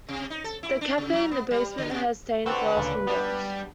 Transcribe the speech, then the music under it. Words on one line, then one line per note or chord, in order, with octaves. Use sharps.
The cafe in the basement has stained glass windows.
C3
D#4
A4
E4
D4
C#3
F#3
B3
G3
D3
C3
C4 F#4 A4 B4 D5
D2 A#2 C#3
G3 B3 D4